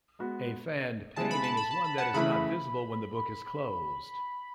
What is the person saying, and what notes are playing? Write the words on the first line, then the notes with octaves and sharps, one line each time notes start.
A fanned painting is one that is not visible when the book is closed.
G#3 B3 F#4
C#3 G#3 B3 E4 G#4 A5
B5
A5
B5
A5
B5
F#5 A5
C#3 E3 A3 E4 B4 B5